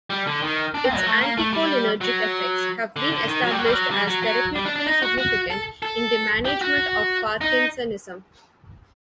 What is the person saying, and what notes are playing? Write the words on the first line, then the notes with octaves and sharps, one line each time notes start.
Its anticholinergic effects have been established as therapeutically significant in the management of Parkinsonism.
G3
D3
D#3
D4
C4
F#3
A3
A#3
A3
G3
F#3
D3
D3
D#3
F#3
G3
F#3
G3
F#3
G3
F#3
F#3
G3
D4
D4
D#4
F#4
F#4
A4
A4
G4
F#4
D#4